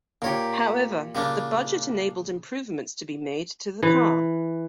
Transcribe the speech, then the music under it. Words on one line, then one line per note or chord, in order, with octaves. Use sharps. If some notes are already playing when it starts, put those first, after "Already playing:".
However, the budget enabled improvements to be made to the car.
A#2 G4 A#4 C#5
A#2 C#3 G3 A#3 D4
E3